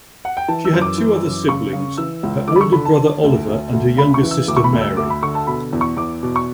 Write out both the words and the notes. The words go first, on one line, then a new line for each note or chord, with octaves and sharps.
She had two other siblings: her older brother, Oliver, and her younger sister, Mary.
F#5
G5
E3 A5
E6
F#2
D6
E3
F#2
C#3 C#6
C#3
E3 E6
C#2
D3 D6
B5
C#6
D3 B5
A5
D3
D2
D2
D2
C#3 B5
C#6
E3
E6
D2 D6
C#6
B5
D2
E6
D2 D6
B5
D3 C#6
A5
B2 B5
E2
C#6
E2 D6
B2
C#6